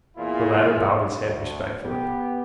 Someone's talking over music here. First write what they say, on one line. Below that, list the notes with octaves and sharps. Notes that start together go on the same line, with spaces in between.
The latter bowed his head respectfully.
E2 A#2 E3 E4 F4 G#4
D2
B3 G4